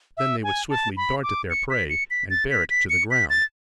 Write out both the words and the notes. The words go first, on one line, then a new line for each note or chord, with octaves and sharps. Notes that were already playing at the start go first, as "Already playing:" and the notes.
Then they would swiftly dart at their prey and bear it to the ground.
E5
G#5
A5
B5
D6
C#7
B6
C#7
B6
A6
B6
B6
C#7
B6
A6